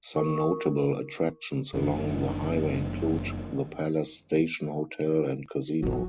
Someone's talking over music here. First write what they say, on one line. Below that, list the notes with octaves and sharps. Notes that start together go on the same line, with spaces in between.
Some notable attractions along the highway include the Palace Station Hotel and Casino.
A#4 C#6
F#1 D#3 D4
A1 F#3 F4